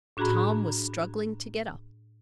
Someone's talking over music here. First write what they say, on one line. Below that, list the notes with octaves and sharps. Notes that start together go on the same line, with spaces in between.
Tom was struggling to get up.
A2 D4 F#4 G#4 A#5 B5